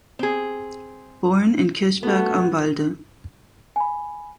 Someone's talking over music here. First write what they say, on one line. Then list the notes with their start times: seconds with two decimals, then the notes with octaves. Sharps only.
Born in Kirchberg am Walde.
0.19 C4 G#4
2.03 A3 B3 F#4 A4
3.76 G#5 B5